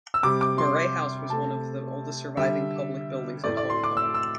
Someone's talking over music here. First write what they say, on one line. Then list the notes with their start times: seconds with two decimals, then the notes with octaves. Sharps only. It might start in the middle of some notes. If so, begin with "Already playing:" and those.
Murray House was one of the oldest surviving public buildings in Hong Kong.
0.14 E6
0.23 C3 G3 D6
0.41 D6
0.58 C6
1.29 C3 A3 A5
2.37 D3 G3 E5
3.44 A2 A3 D5
3.57 D5
3.70 C6
3.84 D6
3.97 E6
4.14 E6